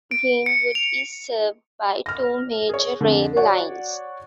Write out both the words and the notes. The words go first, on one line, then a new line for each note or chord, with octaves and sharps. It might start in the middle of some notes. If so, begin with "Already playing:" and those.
Greenwood is served by two major rail lines.
D7
C#7
F7
F6 A#6
G#4 C#5
F2 D3
F#4 C#5 D5 F#5